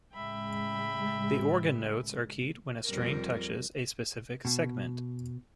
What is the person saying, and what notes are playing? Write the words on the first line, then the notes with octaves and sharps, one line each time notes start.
The organ notes are keyed when a string touches a specific segment.
A2 C#3 G#3 E5 G5 B5
F2 G3 A#4
B2